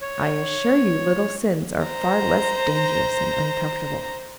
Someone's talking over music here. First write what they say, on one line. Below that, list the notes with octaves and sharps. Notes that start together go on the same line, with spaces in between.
I assure you little sins are far less dangerous and uncomfortable.
C#5
C5 A#5